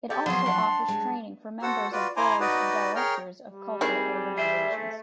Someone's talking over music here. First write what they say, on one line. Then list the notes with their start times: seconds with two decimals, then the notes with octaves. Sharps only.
It also offers training for members of Boards of Directors of cultural organisations.
0.10 C#4 G4 A4
0.26 F3 F#3 B3 C4 G#4 C6
0.46 D4 F#5
0.88 G#3
1.62 F#4 A4 C5 F#5 E6
1.92 F4 F#4 B4 D5
2.17 E4 C5 G#5 A#5 C6 D6
2.40 D#4 F#4 B4 D5 D#5
2.95 G#4 A#4 C#5 G5 F6
3.49 G3
3.81 D#3 G#3 C4 E4 G#4
4.38 G#4 C5 E5
4.71 A3